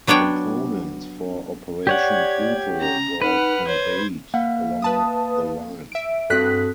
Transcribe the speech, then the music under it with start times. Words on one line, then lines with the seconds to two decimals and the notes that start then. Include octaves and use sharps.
Components for Operation Pluto were conveyed along the line.
0.07 F#3 B3 D4 C#5 G5
1.87 G4 C#5 D5 F#5 G#6
2.81 C#4 A#5
3.22 D#4 B4 F#5 F6
3.68 C5 C#5 G#6
4.34 A#3 F5 F#5
4.82 B4 A5 D#6
5.92 E5 D7
6.30 G2 C4 F#4 A4 F#6 B6